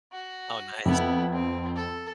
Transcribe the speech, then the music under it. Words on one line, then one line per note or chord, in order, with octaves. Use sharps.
Oh, nice.
F#4
F2 B3 E4
C4
A4